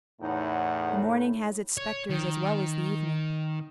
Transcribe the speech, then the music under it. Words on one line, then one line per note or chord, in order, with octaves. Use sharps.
The morning has its spectres as well as the evening.
E2 A2 D#4 F#5
C#5
D#3